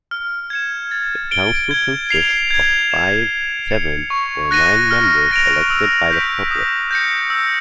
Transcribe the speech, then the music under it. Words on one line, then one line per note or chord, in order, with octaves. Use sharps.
The council consists of five, seven, or nine members elected by the public.
F6
G#6 C#7 E7
A6
D7 G7
G#6
C7 F7
G#6
C#7 E7
G#6
C#7 F7
C#6
F#6 A#6 D#7
F6
A#6 D7 F7
E6
G6 B6 D7
D#6
G6 A#6 C#7
E6